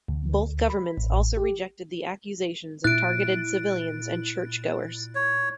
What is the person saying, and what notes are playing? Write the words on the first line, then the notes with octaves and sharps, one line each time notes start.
Both governments also rejected the accusations of targeted civilians and churchgoers.
D2
B5
A1
G4
A#2 E4 F#6 A6 D7
C#5